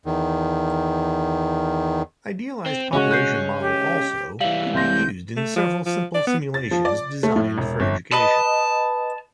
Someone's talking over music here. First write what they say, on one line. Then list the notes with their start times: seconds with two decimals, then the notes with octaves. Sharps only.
Idealised population model also, could be used in several simple simulations designed for education.
0.06 E2 D#3
2.66 C4
2.93 C#3 G#3 C#4 F#4
3.11 F#6 G6 C7
3.61 G4
4.41 E3 G3 E5 F5 F#7
4.74 C2 C6 G6 A#6
5.37 A3
5.56 F3
5.86 F3
6.14 D5
6.27 B3
6.54 A6
6.71 F3
6.85 D5
7.23 A3
7.36 A2
7.58 E1
7.80 G1
8.12 B4 D#5 A5